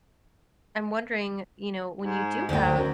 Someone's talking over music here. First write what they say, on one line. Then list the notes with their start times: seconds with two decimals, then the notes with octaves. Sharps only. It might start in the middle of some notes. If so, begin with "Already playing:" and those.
I'm wondering, you know, when you do have
2.02 G#2
2.49 D2 G5
2.75 F#2